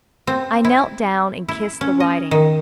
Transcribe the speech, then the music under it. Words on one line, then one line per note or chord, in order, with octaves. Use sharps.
I knelt down and kissed the writing.
C4
E4
E4
C#4
D#5
D#3